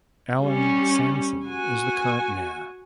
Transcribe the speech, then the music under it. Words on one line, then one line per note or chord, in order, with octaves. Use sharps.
Allan Sanson is the current mayor.
G3 C#4
F#4 G#5